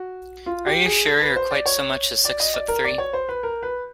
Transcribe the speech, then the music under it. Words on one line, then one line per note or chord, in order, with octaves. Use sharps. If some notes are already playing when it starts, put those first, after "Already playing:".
Are you sure you're quite so much as six foot three?
Already playing: F#4
F4
G4
G#4
A4
B4
C5
D5
C#5
D5
D#5
D5
A#4
D5
C#5
C5
B4
A#4
B4